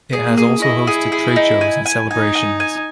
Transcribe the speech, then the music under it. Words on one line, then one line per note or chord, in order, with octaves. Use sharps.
It has also hosted trade shows and celebrations.
G#4
A#3
G#4
E4 D#5
G#4
G#4
D#4
G#5
G#5
D#4 G#5
G#5
G#5